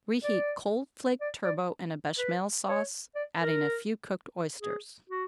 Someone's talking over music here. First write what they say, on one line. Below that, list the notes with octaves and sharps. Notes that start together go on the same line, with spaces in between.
Reheat cold flaked turbot in a Bechamel Sauce, adding a few cooked oysters.
D5
D5
D5
B4
C#5
D5
A#4
G#4
F#4